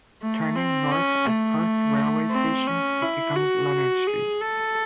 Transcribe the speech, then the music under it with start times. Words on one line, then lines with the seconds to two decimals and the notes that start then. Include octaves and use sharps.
Turning north at Perth railway station it becomes Leonard Street.
0.22 A3
0.56 C4
0.92 C#4
1.27 A3
2.31 C4
2.67 C#4
3.02 E4
3.36 F#4
4.07 G#4
4.41 A4